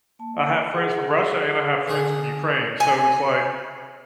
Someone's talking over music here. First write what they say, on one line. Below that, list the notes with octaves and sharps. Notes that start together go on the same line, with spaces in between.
I have friends from Russia, and I have friends from Ukraine. So it's like
A#3 A5
G#4 B4 F#5
D3 G#4 G#5
G#5